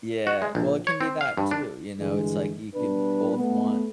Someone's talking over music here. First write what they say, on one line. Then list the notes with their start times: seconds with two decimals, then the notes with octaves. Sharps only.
Yeah. Well, it can be that too, you know? It's like you could both want
0.27 F#4
0.42 G#3
0.55 A#1
0.87 C#5
1.01 C4
1.21 F5
1.37 G2
1.51 D4
1.98 G2 D3 E3 G#3
2.76 B2 G3 D4 B4
3.37 A3 B3